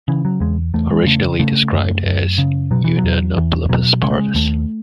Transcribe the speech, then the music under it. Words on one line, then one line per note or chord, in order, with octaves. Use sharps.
Originally described as "Yunnanolepis parvus".
C#3 E3
F#3
E2 G#3
E2 A3
G#3
C#3 A3
C#3 A3
F#2
F#2
C#3
B2 F#3
E3
F#3
E2
E2 E3
B2 F#3
C#3 G#3
A3
G#3
D#2 A3